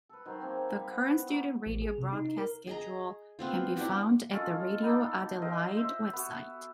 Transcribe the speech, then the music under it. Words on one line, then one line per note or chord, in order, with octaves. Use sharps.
The current student radio broadcast schedule can be found at the Radio Adelaide Website.
A4 B4
D#3 F#3 D#4 C5
A#3 C4 G#4
G3
B3 F#5
A2 D#4 C#6
A1
G#4
C3
D#4
D#4
A#4
G#4 D#5 A#5
B3 C4 F4
D4 E4 F#4 G4
C#4 F4 A4 D#5
B3 D#4 A4 D5
D#5 F5 G5 C6
C5 E5
B3 F#4